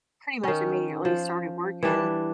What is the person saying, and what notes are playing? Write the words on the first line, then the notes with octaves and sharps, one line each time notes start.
Pretty much immediately started working,
D#3 C#4
F3
E3 G3 D4